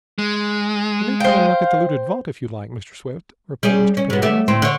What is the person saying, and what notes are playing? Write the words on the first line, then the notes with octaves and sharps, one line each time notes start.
"You may come and look at the looted vault, if you like, Mr. Swift," replied Mr. Pendergast.
G#3
C5 F5 G5
G3 C#4 G#4
C#4
G#2 B3
A3 B3 G4
D2 A2 C4
D3 C#5